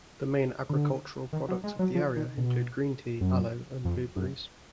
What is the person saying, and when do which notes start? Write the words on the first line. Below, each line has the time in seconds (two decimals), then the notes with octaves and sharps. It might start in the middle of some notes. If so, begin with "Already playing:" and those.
The main agricultural products of the area include green tea, aloe and blueberries.
0.70 D3
1.33 D#3
1.48 F#3
1.64 G#3
1.79 F#3
1.95 F3
2.17 D#3
2.37 B2
3.21 F#2
3.85 F2
4.16 F#2